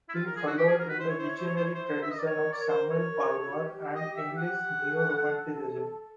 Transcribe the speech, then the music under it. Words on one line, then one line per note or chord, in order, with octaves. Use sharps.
He followed in the visionary tradition of Samuel Palmer and English neo-romanticism.
E4
F4 G4
A#4
F4
G#4
E4 F#4
F4 G4
G#4
F#4
A#4
F#4 B4
E4 C5
C#5
C5
C#5
C5
C#5
C5
C#5
C5
C5
A#4
B4 E5
D#5
A#4 D5
C#5
D5
C#5
C5
C#5
A#4
A4
F#4
G4
D#5
E5
F#5
G#4
A4
A4